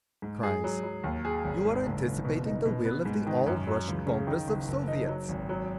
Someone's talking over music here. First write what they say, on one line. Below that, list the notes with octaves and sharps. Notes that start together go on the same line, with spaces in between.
Cries, "You are anticipating the will of the All-Russian Congress of Soviets!"
G#2
G#4
F#3
F#3
D#2
G#4
G#1
G#2
F#1
F#1
B2
D#4
B2
B3
G#2
D#3
F#2
F#3
C#2
C#3
D#3
F#1
F#1
D#4
F#3
G#1
F#3